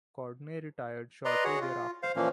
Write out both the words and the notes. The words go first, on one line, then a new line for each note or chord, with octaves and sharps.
Condrey retired shortly thereafter.
B4 D5 D#5 A#5 C6
F#4 G#4 C#5 F#5
F4
C5 F5
A#2 E3 F3 A#3 C#4